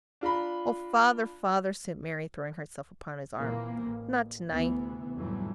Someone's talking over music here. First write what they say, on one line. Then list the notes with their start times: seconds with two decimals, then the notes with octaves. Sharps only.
'Oh, father, father!' said Mary, throwing herself upon his arm,--'not to-night!
0.21 D4 F4 A#5 B5
3.39 A#2 E3 A#3 C4
3.82 A1
4.49 D2 C3 E3 B3
5.16 F2 A2 D3 E3 F#3 G3